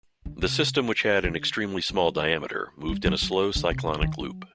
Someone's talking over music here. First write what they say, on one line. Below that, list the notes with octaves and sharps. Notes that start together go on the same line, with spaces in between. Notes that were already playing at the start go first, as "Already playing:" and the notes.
The system, which had an "extremely small diameter", moved in a slow cyclonic loop.
D3
C3
D3
F#3
G3
F#3
F#3
D3
C3
D#3
D3
D#3
F#3